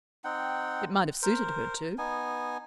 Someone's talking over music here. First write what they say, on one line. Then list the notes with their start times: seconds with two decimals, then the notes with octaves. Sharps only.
It might have suited her too.
0.24 C4 D#4 F#5 G5
1.23 A#4 C5
1.98 B3 D#4 G#5